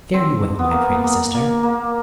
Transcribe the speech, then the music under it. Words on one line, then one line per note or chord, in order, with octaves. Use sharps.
Fare you well, my pretty sister.
C4
B3
A#3
B3
A#3
A#3
A#3